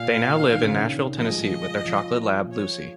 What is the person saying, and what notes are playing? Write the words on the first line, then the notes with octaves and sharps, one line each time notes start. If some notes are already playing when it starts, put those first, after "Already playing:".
They now live in Nashville, Tennessee with their chocolate lab, Lucy.
Already playing: A#2 F5
D#3
C#3
D#3
F3 D#5
G#3
F3
F3
C#5